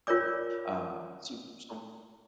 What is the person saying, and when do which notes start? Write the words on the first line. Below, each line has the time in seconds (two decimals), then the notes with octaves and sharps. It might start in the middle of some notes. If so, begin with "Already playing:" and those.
Um, so so
0.07 F4 A#4 C#5 D5 D6